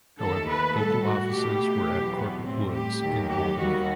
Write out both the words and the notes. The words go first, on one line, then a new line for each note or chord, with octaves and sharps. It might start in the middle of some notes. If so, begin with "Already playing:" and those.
However, local offices were at Corporate Woods in Albany.
D#2 D#3 A3 A4
B4
A2 G3 A4
F#4
B2 A3 G4
E2 B2 F#3
B3
A2 G3 C4
G4
D#2 D#3 F#3 A3
G4
D#2 D#3 G3 F#4